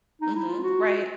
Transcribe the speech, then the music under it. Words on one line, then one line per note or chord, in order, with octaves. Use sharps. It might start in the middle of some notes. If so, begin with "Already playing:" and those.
Mhm. Right.
D#4
E4
F4
F#4